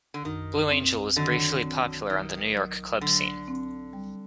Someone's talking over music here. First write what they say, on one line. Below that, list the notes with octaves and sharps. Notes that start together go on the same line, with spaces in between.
Blue Angel was briefly popular on the New York club scene.
D3
F#2 D#3
C4
D3 D#3 F#3
C4
D#3 F#3
F#3
D3 F#3
C4
G3